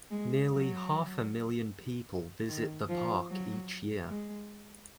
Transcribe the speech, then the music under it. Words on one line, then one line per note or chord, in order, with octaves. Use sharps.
Nearly half a million people visit the park each year.
G#3
F#3
D#3
F3
F#3
G#3